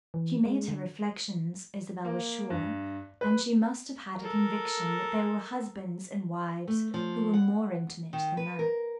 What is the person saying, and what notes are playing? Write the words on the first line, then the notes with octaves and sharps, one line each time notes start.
She made her reflexions, Isabel was sure; and she must have had a conviction that there were husbands and wives who were more intimate than that.
E3
G#3
D3
A#3
G2
B4
A4 A#4
A3
F3
F#5
D#3
B4
A#4